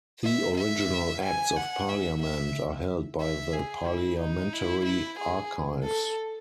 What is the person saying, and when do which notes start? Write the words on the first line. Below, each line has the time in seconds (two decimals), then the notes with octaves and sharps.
The original Acts of Parliament are held by the Parliamentary Archives.
0.24 E5
0.57 E5
1.24 G#5
1.56 F#5
1.89 E5
2.22 E5
3.21 E5
3.53 G#4
3.86 E4
4.20 D#4
4.53 E4
4.85 E4
5.19 G#4
5.84 A4